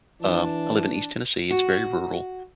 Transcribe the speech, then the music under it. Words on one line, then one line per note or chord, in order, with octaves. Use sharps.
um, I live in East Tennessee, it's very rural
E3 D4 A5
F#4